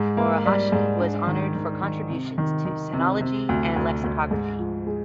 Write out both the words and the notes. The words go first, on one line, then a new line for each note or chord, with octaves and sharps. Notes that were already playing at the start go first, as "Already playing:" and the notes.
Morohashi was honored for contributions to sinology and lexicography.
Already playing: G#2
A#3
G3
G#2
D4
D#3
D#3
D#3
C3
D#3
D#3
C3
C3
D2
D2
D2
G#2
F3
G#3